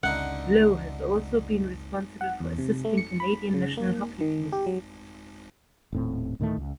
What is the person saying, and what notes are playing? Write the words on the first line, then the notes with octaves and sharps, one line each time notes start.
Lowe has also been responsible for assisting Canadian national hockey teams.
C#2 D3 G#3 C#4 D#4 E4 F#5
F#5
E2
C3
A3
C#7
B5
C#3
A#3
D#3
G4
F#3
D#1 A2 C4
D2 A2 D#3 A3
C#2